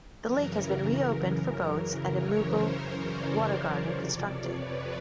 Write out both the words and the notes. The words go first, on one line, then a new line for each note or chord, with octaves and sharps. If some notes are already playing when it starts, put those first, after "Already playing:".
The lake has been re-opened for boats and a Mughal Water Garden constructed.
F#2 C#3 E3 A#4
C#5
C5
C#5
D5
C#5
F2 C3 F3 D5
C#5
B4